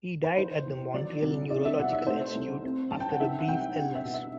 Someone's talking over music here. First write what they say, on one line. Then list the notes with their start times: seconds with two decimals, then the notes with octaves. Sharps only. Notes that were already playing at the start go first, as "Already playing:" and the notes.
He died at the Montreal Neurological Institute after a brief illness.
0.24 B4
0.38 E3 C5
0.66 E2
0.94 F#3 D5
1.22 C2
1.50 E4 D5
1.65 E5
1.79 B2 F#5
1.93 E5
2.07 A3 C5
2.35 C2
2.63 C4
2.91 F#2 A5
3.00 G5
3.10 F#5
3.20 E3 E5
3.40 F#5
3.48 C2 G5
3.76 D4 F#5
3.95 E5
4.05 B2
4.14 E5